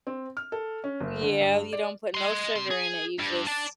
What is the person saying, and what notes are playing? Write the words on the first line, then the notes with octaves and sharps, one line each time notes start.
Yeah, you don't put no sugar in it, you just
C4
F6
A4
C#4
F#1
D3
G2
D5
D#5 C6
C3 C6
G#4
G2
D5 A5